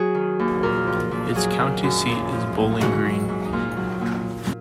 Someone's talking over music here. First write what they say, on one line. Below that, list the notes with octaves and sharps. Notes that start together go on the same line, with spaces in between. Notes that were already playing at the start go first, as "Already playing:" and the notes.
Its county seat is Bowling Green.
Already playing: F#3 F#4 G#4
D#3
D#2
A#2 A#4
F3
A#2
F#3 G#4
D#3
F#2
A#2
F3
A#2
G#2 F#4
F#3
G#2
D#4
A#2 F4
F#3
A#2